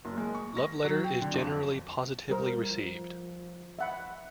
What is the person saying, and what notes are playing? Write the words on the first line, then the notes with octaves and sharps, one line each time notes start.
"Love Letter" is generally positively received.
F#1
G#3
C#6
A#6
F#3
G5
D3
F2
G3 A#4 C5
F3
E5 F#5 B5